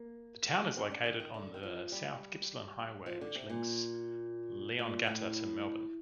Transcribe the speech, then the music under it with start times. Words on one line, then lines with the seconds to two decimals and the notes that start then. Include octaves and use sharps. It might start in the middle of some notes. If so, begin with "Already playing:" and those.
The town is located on the South Gippsland Highway which links Leongatha to Melbourne.
Already playing: A#3
0.77 C4
0.91 D4
1.06 D#3
1.20 D#3
1.34 D3
1.54 D#3
1.63 F3
1.92 G3
3.06 F3
3.21 D3
3.35 C3
3.50 A#2
4.79 A#2
5.07 A2